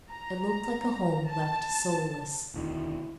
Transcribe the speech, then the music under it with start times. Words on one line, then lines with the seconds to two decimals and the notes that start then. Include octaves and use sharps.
It looked like a home left soulless.
0.11 A#5
1.29 A5
2.54 E1 D2 D#3 E4